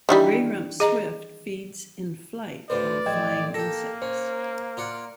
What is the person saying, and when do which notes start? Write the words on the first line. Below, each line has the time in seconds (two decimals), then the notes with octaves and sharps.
Grey-rumped swift feeds in flight on flying insects.
0.09 D#3 E3 G3 D4
0.80 G#4 D#5 A#5
2.70 D2 D3 B4 C5 D5
3.06 A1 F2 D#5 G5 G#6
3.54 A#3 G4 A4 A#6
4.02 C#4 C5
4.77 F4 D5 F#5